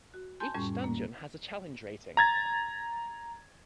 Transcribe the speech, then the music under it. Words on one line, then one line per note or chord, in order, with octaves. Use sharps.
Each dungeon has a "challenge rating".
F#4
G#5 A5 C6 G6
F2 A2 G3 C#4 G4 C#6
A#2 D3 A#3
A#5 G#6 A6